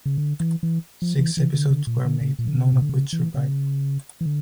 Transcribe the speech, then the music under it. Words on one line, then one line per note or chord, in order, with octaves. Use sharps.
Six episodes were made, none of which survive.
C#3
D3
E3
E3
F3
E3
E3
D3
D3
A#2
D3
C#3
A#2
D3
C#3
A#2
D3
C#3
E3
C#3
E3
D3